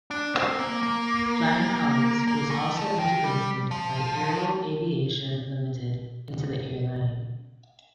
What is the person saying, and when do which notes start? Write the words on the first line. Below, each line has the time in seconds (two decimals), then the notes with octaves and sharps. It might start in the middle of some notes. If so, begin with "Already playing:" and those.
Flying Colours was also integrated by Airworld Aviation Limited into the airline.
0.11 D4
0.35 C4
0.59 A#3
0.83 A#3
2.28 A#3
2.51 A3
2.75 F3
2.99 D#3
3.24 G3
3.71 F3